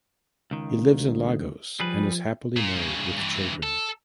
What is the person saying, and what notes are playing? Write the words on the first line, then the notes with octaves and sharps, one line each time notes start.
He lives in Lagos and is happily married with children.
C#2 D#3
D2
F3 G3 G#4 B4
A#2
G2 C#3
G2 E3
A4